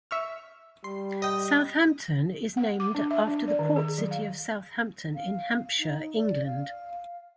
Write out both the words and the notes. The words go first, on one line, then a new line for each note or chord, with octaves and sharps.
Southampton is named after the port city of Southampton in Hampshire, England.
E5 C#6 F6
G3 C6
D#5 G5
F#5
D6
D4
E5
D4
D5
D#3
G#4
F#3
F5
F5
D#4
D5
F5